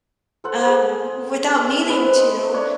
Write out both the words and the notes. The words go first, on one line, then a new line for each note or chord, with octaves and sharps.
uh, w without meaning to,
A4 C5 F#5
G#4
C4 B4 C5 D#5
A3 D4 C#5 C#6